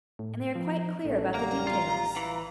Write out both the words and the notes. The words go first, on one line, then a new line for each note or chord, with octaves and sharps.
And they are quite clear about the details.
A2
F3
A1 A3 C#4 D4
F#1 G3 A#3 A#5
F4
E3 F5